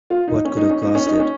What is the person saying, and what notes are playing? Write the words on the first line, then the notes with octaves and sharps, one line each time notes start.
What could have caused it?
F4
D#4
C#4
D#4
C#4
D#4
C#4
D#4
C#4